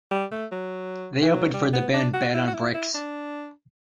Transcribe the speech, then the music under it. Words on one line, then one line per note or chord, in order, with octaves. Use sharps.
They opened for the band Bed on Bricks.
G3
A3
F#3
E3
F#3
G3
B3
D4
F#4
E4
F#4
E4
E4
D4